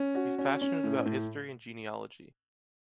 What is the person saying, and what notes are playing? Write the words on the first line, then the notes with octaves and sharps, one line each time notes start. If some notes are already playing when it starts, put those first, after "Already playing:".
He is passionate about history and genealogy.
Already playing: C#4
F#4
C#4
C#4
A2
A2